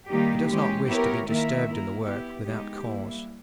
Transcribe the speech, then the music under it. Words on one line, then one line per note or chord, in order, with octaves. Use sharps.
He does not wish to be disturbed in the work, without cause.
D#3 G3 A#3 D#4 G4
E3 G#3 C#4 G4
B3 E4 G4 A#4 C#5
D#3 A#3 E4 A#4 E5
A#3 E4 A#4
B3 E4 G4
G#3 B3 D#4 G4
G3 A#3 E4